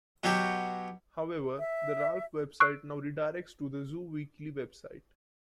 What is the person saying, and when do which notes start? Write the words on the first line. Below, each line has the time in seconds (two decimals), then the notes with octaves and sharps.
However the Ralph website now redirects to the Zoo Weekly website.
0.23 B2 F#3 G4 G5
1.59 E5
2.60 C#6 E6 F#6 C7 D7